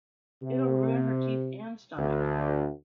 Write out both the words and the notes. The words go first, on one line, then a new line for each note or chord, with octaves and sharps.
It’ll ruin her teeth and stomach.
C3
D2